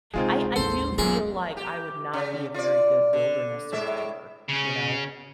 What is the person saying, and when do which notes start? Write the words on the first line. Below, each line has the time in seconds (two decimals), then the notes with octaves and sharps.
I I do feel like I would not be a very good wilderness survivor, you know.
0.14 C#2 C3 G#3 C4 D#4 F4 G#4
0.56 A1 D#2 A4 C5
0.98 F#2 A#2 F#3 E4 G#4
1.57 G4
2.13 C#3
2.54 F4 D5
3.13 D3
3.72 A2 G#3 E5
4.48 C#3 C#4